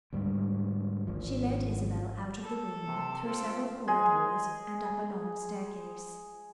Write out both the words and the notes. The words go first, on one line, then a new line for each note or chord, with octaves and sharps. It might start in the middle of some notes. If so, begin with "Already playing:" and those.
She led Isabel out of the room, through several corridors, and up a long staircase.
D2 G#2 G3
G#1 F3
A4
C3
C4 F4 A4
G#3 G#4